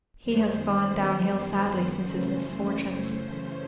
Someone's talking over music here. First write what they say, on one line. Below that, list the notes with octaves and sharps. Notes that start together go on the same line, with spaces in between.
He has gone down hill sadly since his misfortunes.
F#2 D#3 G3 B3 C5
C5
C5
F#2 C#3 E3 A3 C#4